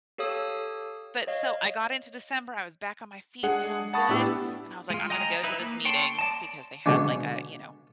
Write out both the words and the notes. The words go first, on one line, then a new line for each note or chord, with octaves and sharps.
But so I got into December, I was back on my feet feeling good. And I was like, "I'm gonna go to this meeting." Because they had like a, you know,
G4 A4 C#5 F5 D#6 E6
C#5 D#5 F5
G#3 D4 G#4 F#5
F#5 A5 B5 C#6 D#6 A6
A2 B3 D4 E4 G4 E6
G#3 F4
D#5 G5 G#5 A#5 D#6
D#4 E4 B4 E5
A#3
C#5 G5 A5 C6
D5 D#5 A5
B2 D3 F#3 G#3 C#4 D4